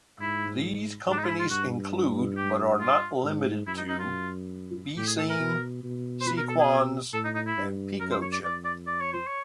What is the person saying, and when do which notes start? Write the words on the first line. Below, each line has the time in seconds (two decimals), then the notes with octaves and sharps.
These companies include, but are not limited to, Beceem, Sequans, and PicoChip.
0.20 G#2 E4
1.07 G#2 D4
1.18 D#4
1.24 F4
1.28 E4
1.40 F4
1.50 G2 F#4
2.37 G4
2.80 F4
3.24 G#2
3.67 F#2 E4
3.78 D#4
3.89 D#4
3.99 F4
4.97 A2 G4
5.07 G#4
5.18 A4
5.30 A#4
5.40 B2
5.84 B2
6.21 C5
6.27 B4
6.38 A#4
6.49 A4
6.60 G#4
7.13 A2 A4
7.24 D#4
7.35 D#4
7.47 E4
7.57 G2
8.00 F#2 A#4
8.11 C5
8.22 C#5
8.32 D5
8.43 F2 D5
8.65 D5
8.87 D5
9.00 C#5
9.13 C5
9.27 C#5